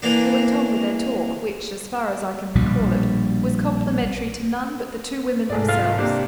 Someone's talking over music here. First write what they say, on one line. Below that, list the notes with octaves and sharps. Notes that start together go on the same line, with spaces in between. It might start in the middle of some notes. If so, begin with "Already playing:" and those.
They went on with their talk, which, as far as I can recall it, was complimentary to none but the two women themselves.
E3 A#3 D4
A#1 B2 G3
C2 G#2 G#4 A4 D5
C2 F4 F5
C3 A#3 D4 G4